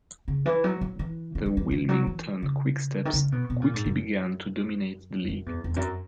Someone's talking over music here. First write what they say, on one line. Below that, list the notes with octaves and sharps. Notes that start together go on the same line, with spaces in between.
The Wilmington Quicksteps quickly began to dominate the league.
C#3
E3
F#3
F#3
E3
E3
F#3
E3
E3
F#3
E3
C#3
D#3
C#3
B2
B2
A#2
G#2
F#2
F#2
E2
E2
F#2